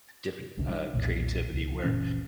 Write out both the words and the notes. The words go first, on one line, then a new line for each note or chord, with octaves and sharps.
different, uh, creativity where,
F1 C2 D3 D4
G3 D4
B1 E2 A#2 E3
C#2
F#1 A#2 E3 C#4